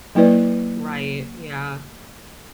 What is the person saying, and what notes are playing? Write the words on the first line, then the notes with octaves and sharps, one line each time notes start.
Right, yeah.
F#3 A#3 E4 B4 D5